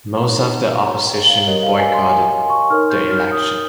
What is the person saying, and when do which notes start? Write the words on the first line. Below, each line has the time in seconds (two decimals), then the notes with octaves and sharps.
Most of the opposition boycotted the election.
0.15 C6
0.25 D#4 G4 A#4 C#5 A#5
0.46 A#5
0.86 A#5
1.07 G5
1.27 F5
1.47 G4 A#4 C#5 D#5
1.63 F5
1.78 G#5
1.94 C6
2.09 G#5
2.29 G#5
2.50 C#6
2.70 D#4 A#4 C#5 F6
2.90 G6
3.11 F6
3.31 D#6